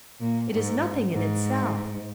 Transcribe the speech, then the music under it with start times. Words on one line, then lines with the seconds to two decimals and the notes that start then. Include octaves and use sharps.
It is nothing in itself.
0.21 A#2
0.52 G#2
1.12 G#2